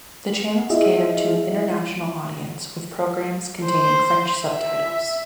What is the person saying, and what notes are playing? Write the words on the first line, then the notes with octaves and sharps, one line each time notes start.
The channels cater to an international audience, with programmes containing French subtitles.
E4 F4 G#4 D#5 E5
C5
E5